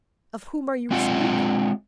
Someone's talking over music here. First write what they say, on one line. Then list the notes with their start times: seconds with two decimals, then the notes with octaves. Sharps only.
Of whom are you speaking?
0.91 G#3 C4 F4 F#5